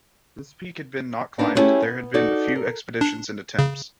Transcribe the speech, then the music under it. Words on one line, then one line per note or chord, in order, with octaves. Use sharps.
This peak have been not climbed, there have been a few expeditions and attempts.
A#3 B3 D4 D#4
G3 A3 C#4 E4 G4 G#4
B3
D#4 F#4 A4 D5
A#4
D4
C#3